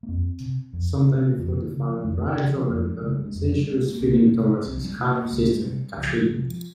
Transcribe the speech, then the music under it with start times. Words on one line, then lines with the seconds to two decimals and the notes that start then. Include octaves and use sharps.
Sometime before the Fallon Pride, Robert develops incestuous feelings towards his half-sister Catherine.
0.03 A#3
0.09 F2 C4
0.40 C3
0.73 F2
1.06 C3
1.38 F2 F3
1.61 D#3
1.71 C#3
1.83 F3
2.05 F2 D#3
2.27 D#3
2.37 C#3
2.48 F3
2.69 F2 F3
3.02 C#3 G#3
3.14 G3
3.25 G#3
3.35 F2
3.45 F3
3.59 G3
3.68 C#3
3.73 G#3
3.87 A#3
4.00 C2 C4
4.33 C3 C#4
4.66 C2 C4
4.76 F3
4.84 G3
4.91 G#3
4.99 C3 A#3
5.25 A#3
5.32 C#2 G#3
5.54 G#3
5.64 C3 G3
5.97 C#2 F3
6.30 C3 F3
6.37 G3
6.44 F3